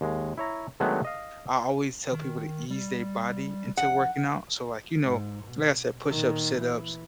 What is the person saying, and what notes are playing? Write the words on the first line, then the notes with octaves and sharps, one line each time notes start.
I always tell people to ease their body into working out. So, like, you know, like I said, push-ups, sit-ups,
D#2 G#3
E4 C#5 A#5
D#3 F#3 G#3 A3 B3 D4
D#5 F5
D#3
G3
A#1 F#5
G#2
B2
A#2 D#3
E3